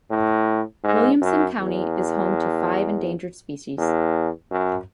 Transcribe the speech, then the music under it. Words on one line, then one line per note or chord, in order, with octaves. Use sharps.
Williamson county is home to five endangered species.
A2
G#2
F#2
E2
E2
F#2